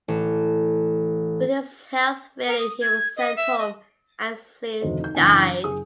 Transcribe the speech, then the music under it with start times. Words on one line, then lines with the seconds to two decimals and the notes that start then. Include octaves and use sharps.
With his health failing he was sent home and soon died.
0.08 A1
2.47 A#4
2.59 D#6
2.81 G#6
3.17 D#5
3.37 E5
3.58 D#5
4.81 F1 D2 D#3 F#4 C5 D#5
5.00 D#4 G6
5.15 F#1 E3 D4 G#5
5.64 F#1 G#4 D#6